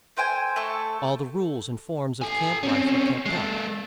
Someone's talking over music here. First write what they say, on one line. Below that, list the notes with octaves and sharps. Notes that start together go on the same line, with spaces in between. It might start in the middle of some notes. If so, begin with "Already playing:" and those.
All the rules and forms of camp-life were kept up.
A3 C5 G5 G#5
A3 A4 C#6
A4 G#5
C4 C#4
G#3 A4